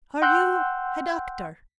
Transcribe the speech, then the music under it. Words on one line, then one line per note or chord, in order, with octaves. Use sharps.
"Are you a doctor?"
F#5 G5 C6 E6 F#6 G6